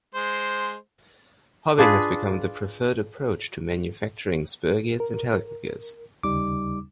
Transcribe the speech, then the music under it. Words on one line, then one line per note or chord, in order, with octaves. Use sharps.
Hobbing has become the preferred approach to manufacturing spur gears and helical gears.
G#3 C5
D4 F4 G#4 B4
A#4
D#2 C#3 G3 D#4 D6